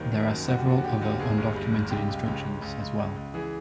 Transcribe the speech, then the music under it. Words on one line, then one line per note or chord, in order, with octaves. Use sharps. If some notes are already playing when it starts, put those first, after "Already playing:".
There are several other undocumented instructions as well.
Already playing: G#1 D#2 D#3
D#3
F#2
D#2 F#4
G4
D#2
F#4
D3 G4
D#2
G1 G#4
G1
G2
G2
C#2 G4
C#2
C#2
C#2
C#2
C#2
C#2
C#2
E3 G#4